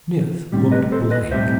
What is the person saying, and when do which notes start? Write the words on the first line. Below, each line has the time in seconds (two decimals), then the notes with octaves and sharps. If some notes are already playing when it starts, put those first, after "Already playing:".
Smith looked blank.
0.52 B1 A2 G3 C4
0.71 B4 D#5
0.92 A4 C5
1.11 B4 D#5
1.31 B1 A2 G3 C4 C5 E5